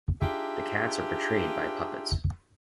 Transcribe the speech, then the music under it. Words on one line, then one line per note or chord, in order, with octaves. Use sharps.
The cats are portrayed by puppets.
D4 D#4 F4 G4 G#4 E5